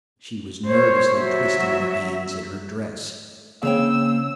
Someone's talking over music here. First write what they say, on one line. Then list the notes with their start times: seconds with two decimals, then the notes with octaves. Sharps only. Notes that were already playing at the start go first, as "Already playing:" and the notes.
She was nervously twisting her hands in her dress.
0.66 C5 C#5
1.18 F#3 E5
3.63 C#3 A#3 C4 G#4 C#5 F5 G5 E6